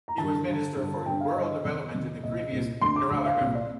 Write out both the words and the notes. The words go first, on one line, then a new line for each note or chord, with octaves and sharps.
He was Minister for Rural Development in the previous Kerala Government.
A#5
G2 D3 A5
G2 D3
G2 D3
G2 D3 G5
F5
G2 D3 D#5
F2 C3 D#3
F2 C3 D#3
C2 A#2 D#5
C2 A#2
D2 D3 C6
D6
D2 D3
F5
C2 A#2
D5